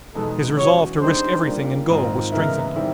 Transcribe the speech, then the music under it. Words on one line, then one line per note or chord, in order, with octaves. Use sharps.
His resolve to risk everything and go was strengthened.
E2 B2 G#3 B3 D#4 A4
E3 G#3 C#4 F#4 C#5
D3 G3 C4 D#4 G#4 C5
G3 A#3 D4 F4
G#2 D#3 G#3 C4 F4
C#3 E3 G#3 B3 E4 A#4
D#3 G3 C4 E4